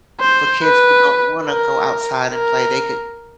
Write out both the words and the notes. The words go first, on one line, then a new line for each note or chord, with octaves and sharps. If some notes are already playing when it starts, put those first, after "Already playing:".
for kids who don't want to go outside and play, they could
C5
B4
A#4
A#4